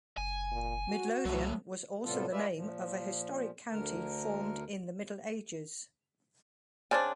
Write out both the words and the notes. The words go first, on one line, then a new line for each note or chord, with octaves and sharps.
Midlothian was also the name of a historic county formed in the Middle Ages.
F#1 G#5
A#2
F#4
C2 F#3 A3
A2 C3 G3 B3 F4 A4
G#3 F4 B4 D5 E5
A#2 F3
D2 D3 A#4
C#3 C4 D4 D5 G#5